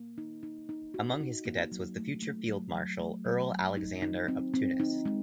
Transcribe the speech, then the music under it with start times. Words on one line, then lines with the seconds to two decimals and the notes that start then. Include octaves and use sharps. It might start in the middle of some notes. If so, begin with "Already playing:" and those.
Among his cadets was the future Field Marshal Earl Alexander of Tunis.
Already playing: A#3
0.18 D#4
0.43 D#4
0.69 D#4
0.94 F#4
1.21 D#4
1.45 A#3
1.72 F#3
1.97 A3
2.22 A3
2.48 F#3
2.74 F#3
3.00 A3
3.25 F#3
3.51 F#3
3.77 D#4
4.02 D#4
4.28 C4
4.54 C4
4.80 D#4
5.05 G#3